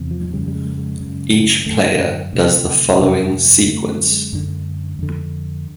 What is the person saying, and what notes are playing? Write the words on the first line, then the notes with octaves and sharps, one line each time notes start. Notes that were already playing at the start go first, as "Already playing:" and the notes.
Each player does the following sequence.
Already playing: E2 C3
F3
F2 C#3 G3
G3
G#3
G#3
F#2 C#3
F#2 D3 A3
D2 C3
F2 C3
F#2 D3 A3
G#3
F#2 D3
F2 D3